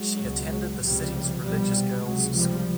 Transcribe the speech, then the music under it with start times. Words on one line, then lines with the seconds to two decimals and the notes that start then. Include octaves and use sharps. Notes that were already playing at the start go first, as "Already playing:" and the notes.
She attended the city's religious girls' school.
Already playing: F#3 G#3
0.21 C#2 B2
0.82 C#2 C3 F3 G3
1.42 C2 B2 F3 G3
2.04 C#2 C3 F#3 G#3
2.35 F3 G3